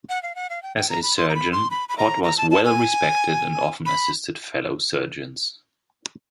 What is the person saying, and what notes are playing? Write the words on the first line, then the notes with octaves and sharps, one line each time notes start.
As a surgeon, Pott was well respected and often assisted fellow surgeons.
F#5
F5
F#5
F5
G5
G5
A#5
B5
C6
A#5
B5
C6
B5
B5
A#5
A#5
A5
A5
G#5
B5